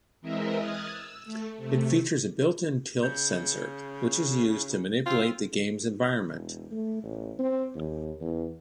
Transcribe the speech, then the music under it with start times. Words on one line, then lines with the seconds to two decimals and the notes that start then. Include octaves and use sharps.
It features a built-in tilt sensor, which is used to manipulate the game's environment.
0.21 E3 G#3 C4 A#4 D#5 E5
0.56 D#6 F6 F#6 G#6 A6
0.89 E6
1.25 A3
1.57 C3 A3
3.03 C#3 G6
5.06 C4 F4
6.31 E1
6.71 A3
7.04 A1
7.39 C4
7.75 D#2
8.21 E2